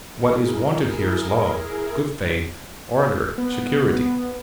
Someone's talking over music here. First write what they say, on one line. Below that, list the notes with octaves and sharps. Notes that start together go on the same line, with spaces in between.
What is wanted here is law, good faith, order, security.
E4 G#4 A#4
B3